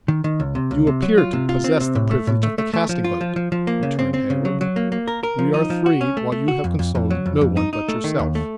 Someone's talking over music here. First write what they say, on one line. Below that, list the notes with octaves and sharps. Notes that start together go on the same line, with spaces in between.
"You appear to possess the privilege of a casting vote," returned Heyward; "we are three, while you have consulted no one but yourself."
D#3
D#3
C#2
C3
C#2
C3
F#3
F4
C3
F4
C4
C3
A2
A3
A2
A3
A3
A3
F3
F4
F3
F3
F3
A#3
C#3
C4
C4
C#3
F#3
F#3
A#3
A#3
A#4
A#4
F3
D#4
F3
F#4
C#4
A3
A3
F#4
F2
F2
F2
F#3
F2
F2
D#4
D#4
A3
D#3
D#2
A3